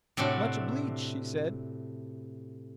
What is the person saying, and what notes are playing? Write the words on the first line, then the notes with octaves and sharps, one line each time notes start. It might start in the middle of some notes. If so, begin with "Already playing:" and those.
"Much obleeged," she said.
A2 C3 C4 D4 F#4